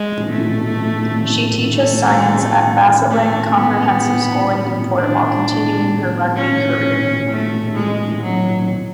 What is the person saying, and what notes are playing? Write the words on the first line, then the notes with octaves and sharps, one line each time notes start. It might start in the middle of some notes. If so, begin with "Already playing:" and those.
She teaches science at Bassaleg Comprehensive School in Newport while continuing her rugby career.
Already playing: G#3
A3
A3
A3
B3
D4
C#4
A3
G#3
F#3